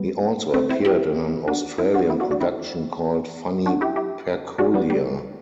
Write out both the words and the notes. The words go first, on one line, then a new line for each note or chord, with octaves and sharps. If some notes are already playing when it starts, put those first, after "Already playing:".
He also appeared in an Australian production called "Funny Peculiar".
Already playing: G3 B3
A3 C4
C4 E4
E4 G4
D4 F#4
C4 E4
D4 F#4
C4 E4
D4 F#4
D4 F#4
C4 E4
D4 F#4
E4 G4
E4 G4
D4 F#4
G3 B3
G3